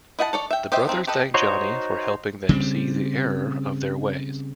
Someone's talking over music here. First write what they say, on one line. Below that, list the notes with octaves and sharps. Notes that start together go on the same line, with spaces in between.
The brothers thank Johnny for helping them see the error of their ways.
E4 D#5 F#5 G5 A5
A4 C#5 D5
E5 G5
G4 C5 D#5 E5 G5
F3 A3 C4 D#4
G4 A4 B4 D#5
D#4 F#4 C5 C#5
C#3 G3 A#3 C4